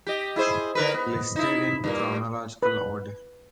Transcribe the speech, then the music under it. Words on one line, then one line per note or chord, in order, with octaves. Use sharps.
Listed in chronological order.
G4 D#5
E4 G#4 C5
D3 A#4 B4
B3
D#4 E4
G2 A#2 A#3
B4